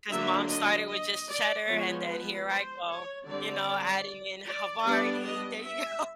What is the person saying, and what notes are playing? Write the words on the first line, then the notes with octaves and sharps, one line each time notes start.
'Cause mom started with just cheddar, and then here I go, you know, adding in Havarti there you go.
D3 F#3 A#3 D4 E5
D#5
D#5
D5
F3 G#3 B3 C#5
B4
C5
C#5
D3 G3 C4 D5
D5
G3 B3 D4 D5
D#5
E5